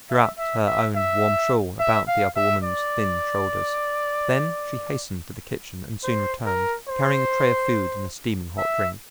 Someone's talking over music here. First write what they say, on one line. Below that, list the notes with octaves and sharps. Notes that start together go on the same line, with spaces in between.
She wrapped her own warm shawl about the other woman's thin shoulders. Then she hastened to the kitchen and soon returned, carrying a tray of food and a steaming hot drink.
E5
E5
E5
E5
E5
F5
E5
D5
C5
A#4
C5
E5